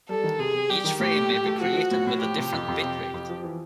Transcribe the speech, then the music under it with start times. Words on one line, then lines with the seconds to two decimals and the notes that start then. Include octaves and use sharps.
Each frame may be created with a different bit rate.
0.09 G3 A4
0.24 D#3
0.39 C3 G#4
0.54 C3
0.69 G3 G4
0.84 D#3
1.00 A2 G4
1.16 A3
1.30 A2
1.46 A3
1.61 F3 F#4
1.76 F3
1.91 A2
2.07 A2
2.22 F3 G4
2.37 C3
2.52 F2
2.68 F2
2.83 C3
2.98 C3
3.14 F2
3.29 F3
3.43 E3